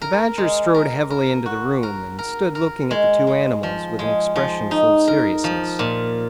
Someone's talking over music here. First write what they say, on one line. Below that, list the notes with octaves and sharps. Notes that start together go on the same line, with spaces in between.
The Badger strode heavily into the room, and stood looking at the two animals with an expression full of seriousness.
A#4
G#3
A#4
A#4
F#4
A#4
A#4
A#4
G#3
G#3
F3
G#3
F3
D#4
A#4
F3
A#2